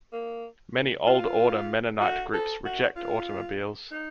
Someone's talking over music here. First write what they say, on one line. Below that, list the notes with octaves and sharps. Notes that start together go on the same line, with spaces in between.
Many Old Order Mennonite groups reject automobiles.
A#3
F4
F#4
A4
F#4
F4
D#4